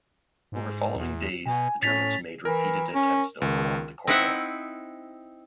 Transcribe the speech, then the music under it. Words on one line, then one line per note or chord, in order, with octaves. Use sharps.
Over following days the Germans made repeated attempts to overwhelm the corridor.
G#2
E2
B2 G#5
A2 C#4 A6 B6 F7
E3 A#4
C#4
C#2 D#3
C4 D#4 E4 E5 F#5